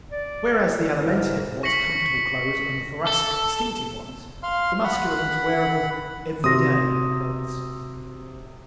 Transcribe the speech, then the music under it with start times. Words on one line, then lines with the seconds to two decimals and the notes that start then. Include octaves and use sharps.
Whereas the Alimentive wants comfortable clothes and the Thoracic distinctive ones the Muscular wants wearable, "everyday" clothes.
0.12 D5
0.98 G#2 E3 A#4
1.63 C#6 A#6 B6 C#7 F#7
3.07 A4
4.43 F5 C6 F6
4.84 F#5 B5
6.44 C3 F#4 C6 D#6 A#6